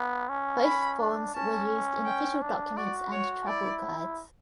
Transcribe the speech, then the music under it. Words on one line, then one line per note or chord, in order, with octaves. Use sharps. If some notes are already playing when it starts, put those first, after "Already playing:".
Both forms were used in official documents and travel guides.
Already playing: B3
C#4
B5
D4
C#4 A5
G5
D4
F#4 D5
C#5
E4 D5